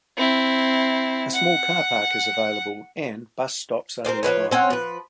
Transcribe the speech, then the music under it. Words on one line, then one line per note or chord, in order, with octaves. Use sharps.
A small car park is available, and bus stops are nearby.
C4 E4
F#5
C4 D4 A#4 C5
F3 G#3 B4 C#5
C4 C#4 C#5 F#5
F3 B4